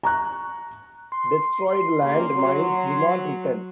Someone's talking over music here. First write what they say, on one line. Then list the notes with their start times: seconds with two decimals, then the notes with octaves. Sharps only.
Destroyed land mines do not return.
0.03 A#5 C#6 F#6
1.12 C6
2.03 C#3 G3 A#3
2.34 F#3